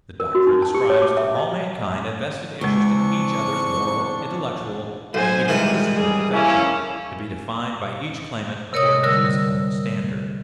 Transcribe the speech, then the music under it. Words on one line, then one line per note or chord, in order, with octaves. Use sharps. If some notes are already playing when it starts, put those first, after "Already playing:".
The doctrine ascribes to all mankind a vested interest in each other's moral, intellectual, and even physical perfection, to be defined by each claimant according to his own standard.
A#4
F#4
D#4
A5
G4
C#5
D6
E5
D#5
E2 C#3 G#3 C4 D4 C#6
B1 C5 G#5
D#3 E3 G3 G#3
G3 G#4
A3 A#3 C#4 E4
C3 A#4 C#5 D#5 D#6
D3 G3 A#4 E6